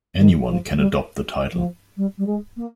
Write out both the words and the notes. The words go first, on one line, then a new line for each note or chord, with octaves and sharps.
Anyone can adopt the title.
D#3
F3
G3
F3
G3
G3
G#3
A#3